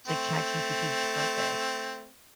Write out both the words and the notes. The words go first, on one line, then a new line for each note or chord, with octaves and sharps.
it's like ChatGPT is perfect.
A3 C4